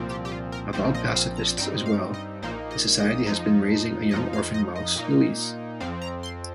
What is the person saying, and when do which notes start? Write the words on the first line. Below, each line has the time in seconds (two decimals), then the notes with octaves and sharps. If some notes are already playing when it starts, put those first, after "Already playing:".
Avowed pacifists as well, the society has been raising a young orphan mouse, Louise.
Already playing: C2 A#2 F3 C4
0.10 G4
0.25 G4
0.31 F4
0.52 A#4
0.73 A#1 A#2 F3 C4 C5
0.94 D#5
1.15 F5
1.37 A#5
1.58 G2 G3 C4 D#4 G5
1.86 F5
2.14 D#5
2.42 A#1 A#2 A#3 D#4 C5
2.71 D#5
2.99 D#5
3.26 F2 F3 D#4
4.11 F2 F3 D#4 D#5
4.33 F5
4.54 D#5
4.75 D#5
4.96 A#2 A#3 D#4
5.80 F2 F3 C4 F5
6.02 A#5
6.23 C6